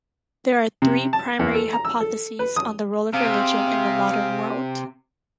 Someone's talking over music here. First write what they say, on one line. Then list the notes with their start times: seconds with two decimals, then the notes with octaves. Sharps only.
There are three primary hypotheses on the role of religion in the modern world.
0.82 C3
1.13 A5
1.39 E2
1.55 A4
1.73 A#5
1.85 E6
2.01 A4
2.39 B4
2.56 D#6
3.14 C3 C4 G#4 F5